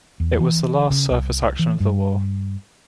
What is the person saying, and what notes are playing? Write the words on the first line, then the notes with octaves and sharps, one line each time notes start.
It was the last surface action of the war.
E2
E3
C#3
C2
E3
G2